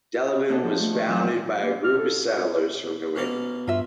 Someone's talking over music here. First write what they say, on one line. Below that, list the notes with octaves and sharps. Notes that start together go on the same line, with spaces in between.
Delavan was founded by a group of settlers from New England.
A#3 D4 D#4 F#4 G#4 A4
F3
A3
D#3
D#2 E3 F#3 C4 E6 F6
A#3
F6
A4
C#5
B2 A#3 F5
G2 F4 E5